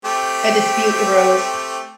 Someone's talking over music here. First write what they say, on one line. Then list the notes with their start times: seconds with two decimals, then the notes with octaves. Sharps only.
A dispute arose.
0.05 A3 C4 G4